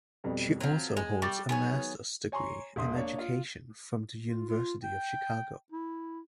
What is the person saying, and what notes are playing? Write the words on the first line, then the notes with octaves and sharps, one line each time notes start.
She also holds a master's degree in education from the University of Chicago.
F2 B2 G3
F3 F#3 C4
G#3
G3 C#6 D6 A6
D#3 F#3 B3 G#4 C#5
C#5 G#5 A#5 C6 C#6
E1 E5 C6 D#6
A#3 D4 C#5
F4
F4
F4
G5
E4